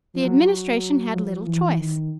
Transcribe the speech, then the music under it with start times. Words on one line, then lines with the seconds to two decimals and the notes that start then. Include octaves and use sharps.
The Administration had little choice.
0.14 F3
0.24 F#3
1.15 F3
1.46 E3
1.77 D#3